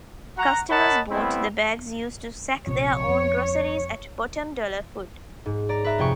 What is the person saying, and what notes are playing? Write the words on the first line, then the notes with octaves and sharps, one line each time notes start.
Customers bought the bags used to sack their own groceries at Bottom Dollar Food.
F#4 F#5 A#5
A#4 C#5 D#5 F#5 A5 B5
G3 A3 B3 C4 E4
A#1 C3 F3 C#5
F2
G#2
D5 A#5
B4 E5 A#5
F2 C3 D#5 G5 G#5 C#6